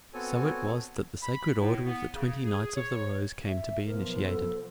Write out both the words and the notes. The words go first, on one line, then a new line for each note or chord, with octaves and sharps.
So it was that the Sacred Order of the Twenty Knights of the Rose came to be initiated.
B3 C4 F#4 A4 C#5 G#5
B5
A2
B3
C#3
G#4
C#5
E5
B1 F3 B3 A#4
A4